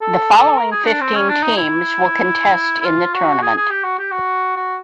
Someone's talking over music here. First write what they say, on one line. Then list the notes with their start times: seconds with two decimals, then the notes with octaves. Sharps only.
The following fifteen teams will contest in the tournament.
0.02 A4
0.57 A#4
0.71 G#4
0.86 D4
1.01 C4
1.15 C#4
1.29 D4
1.43 D#4
1.57 E4
2.80 E4
2.85 F4
3.14 F#4
3.42 G#4
3.57 G#4
3.70 G4
3.84 F#4
3.99 G4
4.12 F#4
4.56 F#4